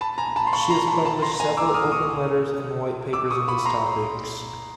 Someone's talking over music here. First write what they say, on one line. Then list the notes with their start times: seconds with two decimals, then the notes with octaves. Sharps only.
She has published several open letters and white papers on these topics.
0.01 A5 B5
0.18 G#5 A#5
0.36 A5 B5
0.47 C6
0.53 B5 C#6
0.70 A#5 C6
0.87 A5 B5
1.05 A5 B5
1.22 A#5 C6
1.40 G#5 A#5
1.57 D6 E6
1.74 D#6 F6
1.92 C#6 D#6
3.13 D6 E6
3.31 C#6 D#6
3.48 B5 C#6
3.65 A#5 C6